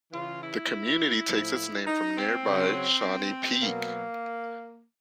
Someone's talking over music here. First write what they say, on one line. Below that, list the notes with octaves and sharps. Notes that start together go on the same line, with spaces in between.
The community takes its name from nearby Shawnee Peak.
C#3 E3 F4
E4
A2 F3
D#4
C4
C#3 F#3
B2 F#3 A#3